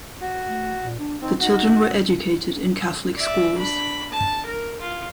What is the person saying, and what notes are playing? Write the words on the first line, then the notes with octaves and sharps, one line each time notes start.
The children were educated in Catholic schools.
F#4
A3
A#2
D4
C4 D#4
D#4 F#4
D5 E5
D4 B5
A5
A#4
F4